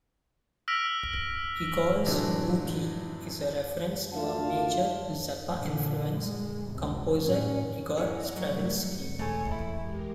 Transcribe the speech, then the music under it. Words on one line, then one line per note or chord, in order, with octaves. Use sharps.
"Igor's Boogie" is a reference to a major Zappa influence, composer Igor Stravinsky.
E6 F6 A#6 B6 D7 F7
A2 C3 E3 F#3 G#3 D4
D2 F4 E5 F5 A5
A#2 D3
G#3
C#2 C3
A2 C#4
E4 G#4 C#5 F#5 A#5
C3 F#3 G3 A3
C#7
E1 A3 G#4 A4 C#5
E4
G#3 G4 A#4